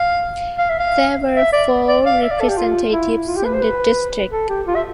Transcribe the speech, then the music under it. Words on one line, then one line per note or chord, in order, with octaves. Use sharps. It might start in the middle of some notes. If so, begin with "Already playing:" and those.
There were four representatives in the district.
Already playing: F5
F5
E5
F5
E5
D5
D5
F5
E5
D5
A4
G4
F4
E4
F4
G4
B4
C5
B4
A4
G4
F4
E5